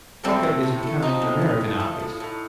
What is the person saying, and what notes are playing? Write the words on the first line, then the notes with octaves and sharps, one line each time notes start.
Alca is becoming Americanised.
F3 A3 C4
A2
A2
A3
F3 C4 D#4
A2
A2
A3
F3
A2
A2